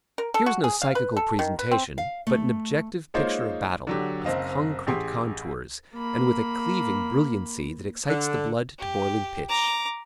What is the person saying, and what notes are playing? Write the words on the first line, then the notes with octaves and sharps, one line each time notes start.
Here is no psychical presentation, but an objective picture of battle, of concrete contours, and with a cleaving brilliancy that excites the blood to boiling pitch.
A#4
A4
F#4
G#4
F5
B4
A4
D#3
B4
C4
F5
A3
G#3 A#3 D#4 F4 C5 C#5
D3 F#3 G4
F#1 C4 D#5 F5
A1 G4 G#4 C6
A#3 B5
D3
G4
A#5 D6